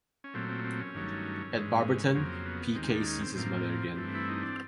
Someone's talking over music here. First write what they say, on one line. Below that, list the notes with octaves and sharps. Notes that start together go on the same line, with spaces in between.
At Barberton, Peekay sees his mother again.
C#4
A#2 F#3 A3 C4
C4
C4
C#4
G2 D#3 F#3 A3
G#2 E3 G#3
F2 C#3 F#3 A#3 C4
B3
D#2 D#3 G#3 C4
D4
C#4
C4
A2 F3 A#3 C4
G2 E3 A3
E4
D#4
D4